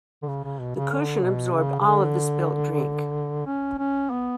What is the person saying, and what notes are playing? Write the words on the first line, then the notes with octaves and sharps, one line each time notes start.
The cushion absorbed all of the spilt drink.
D3
C#3
C#3
B2
C#3
D3
B2
C#3
C#3
D3
C#4
C#4
B3